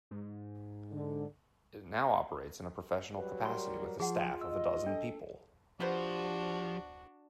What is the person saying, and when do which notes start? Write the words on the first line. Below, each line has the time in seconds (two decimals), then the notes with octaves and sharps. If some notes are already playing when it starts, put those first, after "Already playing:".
It now operates in a professional capacity with a staff of a dozen people.
0.11 G#2
0.91 D3
3.14 F#3 G3 B4
3.45 A#4 C6
4.00 F3 F4 G#4 F#5
4.41 D#5 E6
4.86 D4 A4
5.80 F3 B3 D4 F#4 G4 C5